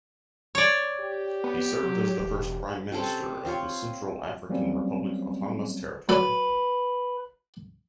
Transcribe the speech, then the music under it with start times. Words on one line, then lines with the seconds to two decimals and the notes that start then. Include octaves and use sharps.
He served as the first Prime Minister of the Central African Republic autonomous territory.
0.55 C#5 D5
1.00 G4
1.44 B3
1.83 F#3
2.20 E1
2.92 C3 C#4 A4 C5
3.45 C4 F4 C#5
4.49 F#3 G3 A#3 C4 C#4
6.09 F#3 A4 B4 D5